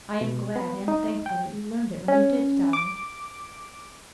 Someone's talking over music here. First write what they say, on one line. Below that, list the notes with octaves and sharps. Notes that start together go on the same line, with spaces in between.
"I am glad and thankful that you learned it when you did, Dolly."
B2
B3
D#4
G5
C#4
D6